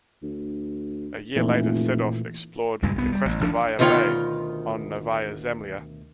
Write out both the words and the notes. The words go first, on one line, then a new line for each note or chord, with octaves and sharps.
A year later Sedov explored the Krestovaya Bay on Novaya Zemlya.
D2
F1 A#2 E3 A3
C#2 G2 A#2 G#3
C2 B3
G3
A1
A1 F3 D4
D2 B2 D#3 F4 C#5 G5